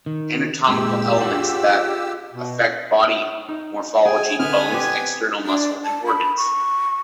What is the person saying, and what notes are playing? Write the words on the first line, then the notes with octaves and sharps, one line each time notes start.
Anatomical elements that affect body morphology: bones, external muscles and organs.
D#3
A#2 G#3 G4 E6
F4 G#4 F#5
B2
D#4
G#4 G5 G#5
D3 B3 G#5 F6
C4 G4 G#6
D4
A5
B5
C#6